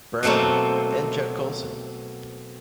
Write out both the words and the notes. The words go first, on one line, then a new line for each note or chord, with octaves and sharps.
Brown, and Chuck Colson.
B2 F#3 A3 A#3 C4